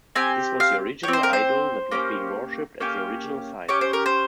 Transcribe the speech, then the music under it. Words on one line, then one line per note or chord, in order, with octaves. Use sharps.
This was the original idol that was being worshipped at the original site.
C4 G4 G#5
F5
C4 G4 C#5
C5
A#4
C5
A#3 C#4 G4
A#3 C#4 G4
C#4 G4 C#5
C5
A#4
C5